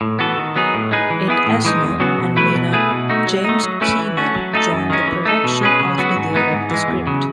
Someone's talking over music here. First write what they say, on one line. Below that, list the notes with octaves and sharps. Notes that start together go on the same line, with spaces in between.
Ed Asner and Maynard James Keenan joined the production after they read the script.
A2
E3 B3 F#4 A4
D#3
F#3 B3 D#4 G#4
A2
G#3 D#4 G#4 B4
E3
B3 E4 G#4
A2
E3 G#3 D#4
E2
C#3 F#3 B3 F#4
B2
F#3 A3 E4 B4
B2
A3 E4 G#4 B4
B2
A3 D#4 F#4
F#3
A3 D#4
F#3
A3 C#4 E4 B4
E3
A3 C#4 F#4
F#3
A3 D#4 F#4 A4
F#2
D#3 G#3 C#4
E3
A3 D#4 A4
B2
G#3 C#4 G#4 B4
C#3
F#3 B3 F#4
G#2
E3 B3 D#4
G#2
E3 G#3
E2
C#3 F#3